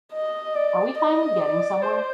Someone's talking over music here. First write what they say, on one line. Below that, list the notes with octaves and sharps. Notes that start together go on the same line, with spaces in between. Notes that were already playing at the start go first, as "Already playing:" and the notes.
Are we finally getting somewhere?
D#5
D5
D#5
D5
C5